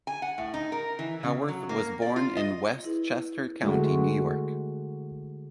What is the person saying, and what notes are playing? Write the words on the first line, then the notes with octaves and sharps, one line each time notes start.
Howarth was born in Westchester County, New York.
G#5
F#5
A2
D#4
A#4
E3
C#3
F#3
A#3
D5
F4
D#5
E4 G#4 B4
D3 G#3 A3 F#4